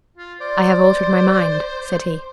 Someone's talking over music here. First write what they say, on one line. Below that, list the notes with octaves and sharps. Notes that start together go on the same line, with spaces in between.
"I have altered my mind," said he.
F4
C5 D5